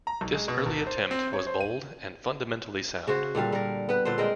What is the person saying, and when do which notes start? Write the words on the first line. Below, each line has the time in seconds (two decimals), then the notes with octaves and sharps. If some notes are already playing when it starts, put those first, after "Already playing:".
This early attempt was bold and fundamentally sound.
0.07 A#5
0.21 B1
0.34 G#3
0.48 B2
0.66 G#1
0.87 C5
1.11 C4
1.33 C#5
1.47 C5
1.60 D#7
3.07 C#3 F#4 C5
3.35 A#2 D3 G3 F5
3.52 G3 A#4
3.89 B3 B4
4.05 A#2 D3 B4 C5
4.18 G#3 C4 A#4 G5